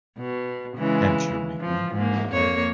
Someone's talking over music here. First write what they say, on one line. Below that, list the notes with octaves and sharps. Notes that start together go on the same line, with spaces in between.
Can't you read me?
B2
C#3 E3 G#3
F3
G#2 A#3
F2 A#3 C#5